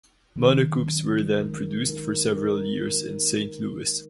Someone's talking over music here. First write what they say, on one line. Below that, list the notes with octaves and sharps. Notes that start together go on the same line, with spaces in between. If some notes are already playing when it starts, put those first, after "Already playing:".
Monocoupes were then produced for several years in Saint Louis.
D#3 F#3 C#4
D#3 F#3 C#4
G#3 D#4 A#4
G#3 D#4 A#4
G#3 D#4 A#4
G#3 D#4 A#4